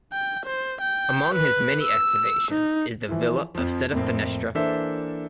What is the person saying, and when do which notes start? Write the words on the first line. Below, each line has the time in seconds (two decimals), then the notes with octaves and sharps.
Among his many excavations is the villa of Settefinestre.
0.13 G5
0.45 C5
0.81 G5
1.34 B4
1.83 E6
2.51 D#4
3.09 E3 F3 E4
3.55 F2 F3
3.92 F2 A2 A#3 C4
4.55 E3 A#3 D4 A4 C5 E5